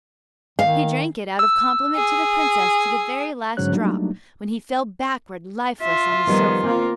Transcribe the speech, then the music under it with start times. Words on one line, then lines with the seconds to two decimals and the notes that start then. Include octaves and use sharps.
He drank it out of compliment to the princess to the very last drop, when he fell backward lifeless on the sofa.
0.59 D#3 F5
1.39 E6
1.95 G#4
3.57 G#2 D3 F#3 C#4 C#5 F#6
3.73 F#3 G3 A3 A#3 D4 D#4
5.82 F4 E5
6.27 D#3 F3 G3 B3
6.63 A#3 C4 F4